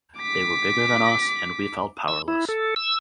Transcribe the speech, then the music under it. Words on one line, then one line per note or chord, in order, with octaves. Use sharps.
They were bigger than us and we felt powerless.
D6 B6
E6
E4
A4
E6